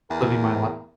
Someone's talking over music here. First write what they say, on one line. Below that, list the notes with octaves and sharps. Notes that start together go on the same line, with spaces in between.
living my li"
E2 A#4